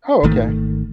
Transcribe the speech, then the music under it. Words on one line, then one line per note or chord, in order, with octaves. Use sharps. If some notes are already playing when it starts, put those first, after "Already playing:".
Oh, okay.
G#1 D#3 A3